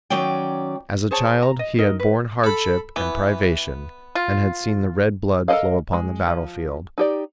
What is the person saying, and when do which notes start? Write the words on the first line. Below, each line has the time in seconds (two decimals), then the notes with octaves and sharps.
As a child he had borne hardship and privation and had seen the red blood flow upon the battlefield.
0.10 D#3 F#3 C#4 D5 G5
1.11 G#4 C5 C#5 A5
1.42 A#5
1.59 D#5
1.78 D#4 A#4 D#5
2.00 B4
2.44 A4 B5
2.96 E3 B3
4.15 F4
5.48 A4 A#4 D5 D#5 F5
5.93 G#3
6.27 F3
6.98 D#4 G4 D5